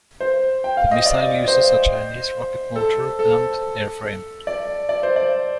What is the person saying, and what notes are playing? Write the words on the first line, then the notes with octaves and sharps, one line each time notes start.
The missile uses a Chinese rocket motor and airframe.
C5
G5
F5
D#5
D5
C5
A4
A4
D5
D5
C5
D5